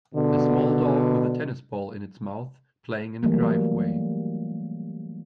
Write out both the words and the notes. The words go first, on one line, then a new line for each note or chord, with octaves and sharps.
A small dog with a tennis ball in its mouth playing in a driveway.
B2 D3
E3 F#3 G3 A3 A#3